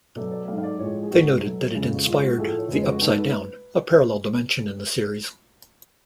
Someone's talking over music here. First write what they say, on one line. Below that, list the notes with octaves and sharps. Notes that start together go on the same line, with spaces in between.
They noted that it inspired the Upside Down, a parallel dimension in the series.
B2 F#3 A3 D5
D5
G#2 F#3 A3 F5
F5
D5
A2 F3 G#3 C#5
G#4
A2 G#3 F#4
B2 F#3 A3
F2 C#3 G#3
F#4
B2 G#3 F4
F#4
A2 F3 A3 G#4
A4
C#5
F2 C#3 G#3 B4
F#4
B4
G#2 G#3 A4
B4